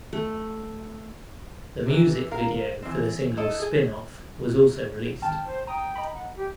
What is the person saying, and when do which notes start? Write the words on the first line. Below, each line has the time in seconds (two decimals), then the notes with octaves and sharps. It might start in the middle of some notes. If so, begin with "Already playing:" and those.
The music video for the single "Spin Off" was also released.
0.13 A3
1.86 C3 E3
2.31 A#4 F5
2.82 E3 C4
3.37 E4 A4 D#5
3.60 G#4
5.22 G#1 G5 A5 F6
5.46 C5
5.67 G5 A#5 D#6
5.96 D#5 A#5 B5
6.14 F#5
6.35 G4